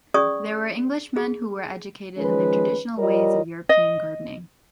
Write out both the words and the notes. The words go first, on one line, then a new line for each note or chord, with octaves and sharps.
They were Englishmen who were educated in the traditional ways of European gardening.
C#4 G#4 D5 C#6 D#6
G#4
D#3 F3 G#3 C#4 B4
G3 F4 A#4 C#5 D#5
D#5